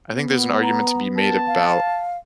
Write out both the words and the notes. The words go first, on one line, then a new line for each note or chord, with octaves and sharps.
I think there's an argument to be made about,
B3
A#5
A#4 A5
F5